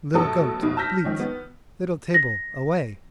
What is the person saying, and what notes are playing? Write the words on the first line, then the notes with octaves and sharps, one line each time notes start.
'Little goat, bleat, Little table, away.'
A1 F#2 B2 A4 D#6
F1 A#1 B2
A5 E6 F6 G6 A#6 B6
D#3 F3 C#4
B3
A#6